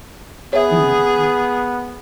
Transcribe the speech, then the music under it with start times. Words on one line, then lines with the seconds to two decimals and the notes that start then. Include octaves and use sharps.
Mhm mm.
0.53 B3 G#4 C#5 E5